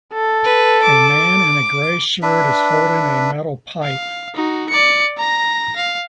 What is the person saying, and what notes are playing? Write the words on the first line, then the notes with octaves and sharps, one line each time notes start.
A man in a gray shirt is holding a metal pipe.
A4
B4
D6
D4 B4 E5
F5
D#4 F#4
D5 C#7
A#5 A#6
F5